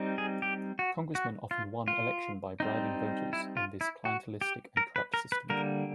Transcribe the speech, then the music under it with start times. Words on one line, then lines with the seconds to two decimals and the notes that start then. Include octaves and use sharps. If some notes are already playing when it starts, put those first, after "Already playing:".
Congressmen often won election by bribing voters in this clientelistic and corrupt system.
Already playing: G3 C4 D#4
0.18 G#4
0.42 G4
0.79 F#4
1.15 F#4
1.51 F4
1.88 F4
2.60 G3 C4 D#4
3.33 E4
3.57 F4
3.81 E4
4.05 F#4
4.41 G4
4.77 A#4
4.96 B4
5.14 A#4
5.32 B4
5.50 D3 G3 A#3 A#4